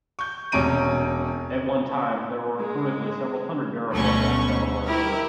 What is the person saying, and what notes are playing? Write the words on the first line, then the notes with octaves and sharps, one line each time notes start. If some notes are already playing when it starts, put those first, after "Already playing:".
At one time, there were reportedly several hundred Durham boats on the Delaware River.
C#6 G6
E1 C3 C#4 A#5 D7 D#7
G#3
D2 B2 A3 C#4 C#6
E4 G4 A#4